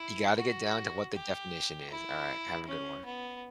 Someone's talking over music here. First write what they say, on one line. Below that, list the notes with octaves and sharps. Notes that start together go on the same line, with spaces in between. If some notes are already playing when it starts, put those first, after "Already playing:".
You gotta get down to what the definition is, aright, have a good one.
Already playing: E4
F#4
G4
E4
C#4
B3